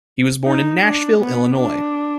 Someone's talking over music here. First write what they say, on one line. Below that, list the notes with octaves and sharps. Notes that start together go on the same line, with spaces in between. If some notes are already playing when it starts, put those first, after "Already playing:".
He was born in Nashville, Illinois.
D#4
D4
B3
D4